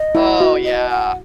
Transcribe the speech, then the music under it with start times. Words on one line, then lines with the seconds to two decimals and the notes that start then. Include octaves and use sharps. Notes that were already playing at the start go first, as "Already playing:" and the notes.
Oh, yeah.
Already playing: D#5
0.15 E4
0.40 F#4
0.64 D#5
0.89 F#5